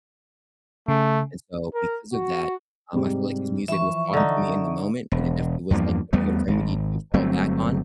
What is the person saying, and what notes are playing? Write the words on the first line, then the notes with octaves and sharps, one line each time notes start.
and so because of that, um, I feel like his music was talking to me in the moment and it definitely was like a good remedy to fall back on,
C#3 A3
A#4
F#4
G#2 C3 G3
E3 F3 E5 C#6
D3 D#4
E1
E2 G2 F3 A#3
E2 G3 A3 B3
G#1
G1 F#3 A3 C4